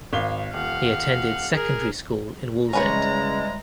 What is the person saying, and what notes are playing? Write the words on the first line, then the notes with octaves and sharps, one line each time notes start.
He attended secondary school in Wallsend.
G#1 F5 G7
D#1 F5 F#5
G#4 A#4
C#3 E3 G3 G#3 C#4 B4 C#5 A#5